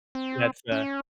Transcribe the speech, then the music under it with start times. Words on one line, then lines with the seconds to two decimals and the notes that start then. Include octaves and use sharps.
That's the
0.15 C4
0.72 C#4